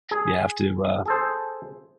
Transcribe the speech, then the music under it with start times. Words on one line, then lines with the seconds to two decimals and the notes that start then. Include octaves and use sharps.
You have to, uh,
0.11 G#4
1.06 G#4 A4 C5